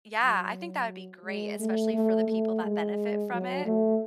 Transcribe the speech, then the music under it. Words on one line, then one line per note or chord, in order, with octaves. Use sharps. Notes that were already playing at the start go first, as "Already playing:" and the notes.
yeah, I think that would be great, especially for the people that benefit from it,
F#3
G#3
A3
A3
A3
G#3
F#3
A3